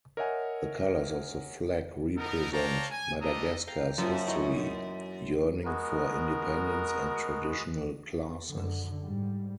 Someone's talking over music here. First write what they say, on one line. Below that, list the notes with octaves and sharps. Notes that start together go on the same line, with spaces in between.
The colors of the flag represent Madagascar's history, yearning for independence, and traditional classes.
A#4 C#5 D#5 E5 F#5 G#5
B3 D#4 A4 A#4
C#5 D5 F5 G5 A5 A#5
G#5
G3 D4 A4 D#5 A#5 D#6
F5 G5 A#5
F#2 F3 A#3
E3 D#4 C#5
G#3 B3 F#4 A#4
F#2 D3
G#2 G3